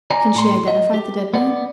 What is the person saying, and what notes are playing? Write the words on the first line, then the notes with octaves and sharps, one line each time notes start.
"Can she identify the dead man?"
D5 G#5 A#5
A2 A#5 C6
D#5
G4
B3 D5